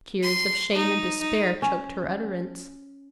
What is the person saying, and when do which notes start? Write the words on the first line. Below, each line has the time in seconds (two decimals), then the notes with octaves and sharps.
Tears of shame and despair choked her utterance.
0.23 C6
0.74 D#4
1.20 D#4
1.62 C#4